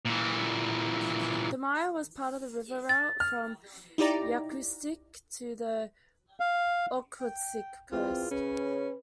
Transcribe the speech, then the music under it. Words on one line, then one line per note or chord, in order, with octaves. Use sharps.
The Maya was part of the river route from Yakutsk to the Okhotsk Coast.
A#2 E3
A6
F6
D#4 E4 G4 D5 A#5
F5
G5
E2 C4 F4
C#3 C#4 B4